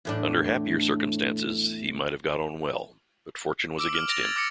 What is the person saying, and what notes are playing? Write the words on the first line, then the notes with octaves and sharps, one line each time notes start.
Under happier circumstances he might have got on well, but fortune was against him.
E2 A2 D4
D6 E6 D7
F6 F#7
A6 A#6 D7 F7
G#6 A6
D6 F6 A#6 C#7